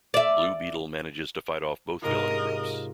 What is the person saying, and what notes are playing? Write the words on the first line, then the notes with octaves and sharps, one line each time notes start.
Blue Beetle manages to fight off both villain groups.
D5 E5
G#2 C3 F4 A#4 D#5